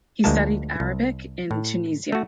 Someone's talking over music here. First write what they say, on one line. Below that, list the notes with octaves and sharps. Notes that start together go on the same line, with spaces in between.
He studied Arabic in Tunisia.
D2 F3 G#3 A#3 A5
C2
A2
A3 F#4